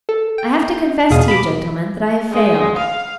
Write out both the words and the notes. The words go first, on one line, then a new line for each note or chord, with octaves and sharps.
I have to confess to you, gentlemen, that I have failed.'
A4
G5
E2 B2 G#3 G#4 F5 D#6
B5 D6
G#3
F5